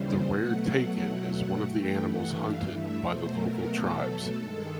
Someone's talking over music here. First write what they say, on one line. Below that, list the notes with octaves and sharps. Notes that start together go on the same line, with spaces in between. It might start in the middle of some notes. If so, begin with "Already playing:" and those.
The rare takin is one of the animals hunted by the local tribes.
Already playing: D#2 C#3 E3 G3 C5
B2 F#3 A3 F#5
F#5
F#5
F#5
G2 E3 A3 G5
F#5
F5
E5
B2 F#3 A3 C5
A#4
A4
G2 D#3 G#3